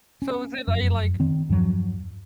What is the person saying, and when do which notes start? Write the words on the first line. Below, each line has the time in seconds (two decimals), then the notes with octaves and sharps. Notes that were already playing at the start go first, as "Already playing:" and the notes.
So is it, like like,
0.22 C#4
0.67 F1 F#2
1.20 D#3 C4
1.49 E2 G2 F3 F#3